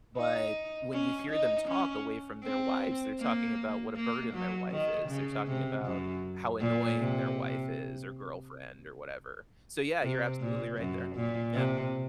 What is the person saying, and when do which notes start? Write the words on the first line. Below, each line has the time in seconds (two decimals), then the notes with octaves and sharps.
But, when you hear them talk away from their wives, they're talking about what a burden their wife is. They're talking about how annoying their wife is or girlfriend or whatever. So, yeah, you're absolutely right there. Yeah.
0.17 D#4
0.93 C#4
1.31 D#4
1.69 C#4
2.44 C4
3.20 A#3
3.96 A#3
4.34 F#3
4.71 D#3
5.09 C#3
5.47 C3
5.86 F#2
6.61 A#2
6.99 C3
10.02 C3
10.40 A#2
10.78 F#2
11.16 A#2
11.54 C3